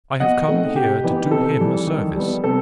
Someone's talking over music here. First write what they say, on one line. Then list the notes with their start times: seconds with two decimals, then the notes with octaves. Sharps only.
I have come here to do him a service.
0.20 B2 D#5 F#5
0.48 A3 C4 D#4
0.75 C3 G4
1.04 E3 B3 D#4
1.31 C3 A4
1.60 E3 G3
1.87 D#3
2.16 G3 B3
2.44 C3 A4